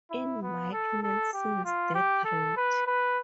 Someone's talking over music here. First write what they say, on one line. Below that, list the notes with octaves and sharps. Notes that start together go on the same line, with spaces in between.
In Mike Nelson's Death Rat!
E4
B3
A4
A4
G4
F4
G4
A4
B4
B4